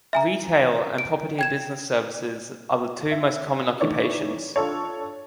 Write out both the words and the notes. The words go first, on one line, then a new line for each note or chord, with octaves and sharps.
Retail and property and business services are the two most common occupations.
E5 G#5 A#5
D7
G5 G#6 E7
E5
D#3 E3 A3 C#5 D5
D4 F4 A4 C#5